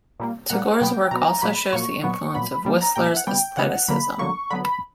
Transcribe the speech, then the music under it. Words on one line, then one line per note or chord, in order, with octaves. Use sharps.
Tagore's work also shows the influence of Whistler's Aestheticism.
A#2 G3 A#3
A#2 G3 A#3 F#5
B2 F#3 B3 G5
B2 F#3 B3 A#5
A#2 F#3 A#3 B5
A#2 F#3 A#3 C#6
A#2 F#3 B3
A#2 F#3 B3 B5
A#2 G3 A#3
A#5
A#2 G3 A#3 G5
E5
F#5
C#3 G3 B3 G5
C#3 G3 B3 F#5
D3 F#3 A#3 B5
D3 F#3 A#3 C#6
D3 F#3 B3 B5
B5